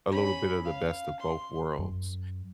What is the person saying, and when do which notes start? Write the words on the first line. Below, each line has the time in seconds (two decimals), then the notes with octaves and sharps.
a little bit of the best of both worlds?
0.11 C#4 B5
0.65 F5
1.20 C6
1.79 F#2